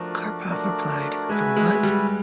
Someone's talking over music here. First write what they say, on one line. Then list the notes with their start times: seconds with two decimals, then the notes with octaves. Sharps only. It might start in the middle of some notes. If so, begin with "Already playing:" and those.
Karpov replied From what?
Already playing: F3 A3 D4 F#4 A#4 D5
0.48 A3 D4 F#4 A#4 D5
1.29 G#3 F#4 B4 E5 G#5
1.56 G#3
1.75 G#3
1.83 G3